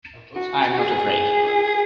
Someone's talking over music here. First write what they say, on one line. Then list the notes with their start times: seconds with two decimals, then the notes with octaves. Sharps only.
I am not afraid.
0.35 F#4
0.73 F#4
0.78 G#4